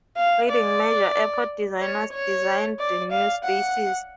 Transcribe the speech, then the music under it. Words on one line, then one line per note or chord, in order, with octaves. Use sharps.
Leading major airport designers designed the new spaces.
F5
D5
C#5
C#5
D5
F5
F#5